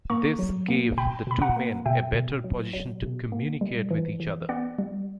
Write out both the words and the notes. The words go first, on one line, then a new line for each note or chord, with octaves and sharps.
This gave the two men a better position to communicate with each other.
A#3 A#5 C#6
F#3
A#3
B2 G5 B5
B2 B5
F#5 A#5
A#3
B2 E5 G5
B2
F#3
F#3
B2
A#3
G3
E3
E3
B3 D5 F#5
G3